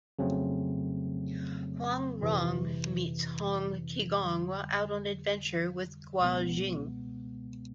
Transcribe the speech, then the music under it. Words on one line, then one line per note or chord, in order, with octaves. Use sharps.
Huang Rong meets Hong Qigong while out on adventure with Guo Jing.
F2 C#3 F#3 A3 C4
G1 F2 C3 E3
F2 D3 G3
C#2 B2 G#3 B3